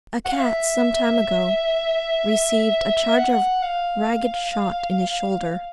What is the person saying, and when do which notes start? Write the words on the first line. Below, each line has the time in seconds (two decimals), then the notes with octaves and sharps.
A cat, some time ago, received a charge of ragged shot in his shoulder.
0.25 F#5
0.32 F5
0.40 E5
3.17 F#5
3.63 F5